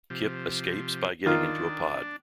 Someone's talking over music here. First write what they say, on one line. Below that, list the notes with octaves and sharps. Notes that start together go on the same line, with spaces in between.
Kyp escapes by getting into a pod.
C3 F3
D#3 D4 F4